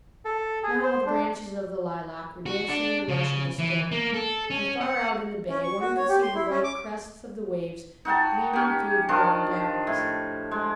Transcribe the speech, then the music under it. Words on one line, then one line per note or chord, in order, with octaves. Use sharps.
Now the branches of the lilac were dancing in the rush of the storm, and far out in the bay one could see the white crests of the waves gleaming through the growing darkness.
A4
G#4
C5
D4
F#4
D4
C#3
E3
A#3
A4
C#4
F#5
C#4
C#6
F#4
C#5
G4
C6
E4
C#4
D6
D#4 F#4 G5 A5
C#4 G4
D#3 F3 D4
A2
G#3